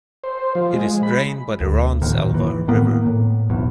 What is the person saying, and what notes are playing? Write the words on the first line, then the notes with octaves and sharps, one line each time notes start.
It is drained by the Randselva river.
C5
F3
G#3
B5
D2
D1 A#1 D#2 D#3
E3
A2 D#3 A#3 B3
A2
F1 B1 E2